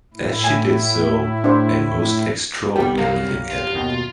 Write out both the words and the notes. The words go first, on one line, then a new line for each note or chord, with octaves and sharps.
As she did so, a most extraordinary thing happened.
A2 E4
G#5
D4 C5
D#3 G3 B3 G4
C2 F#2 A#4 F5
F4
D#2 B2 D#3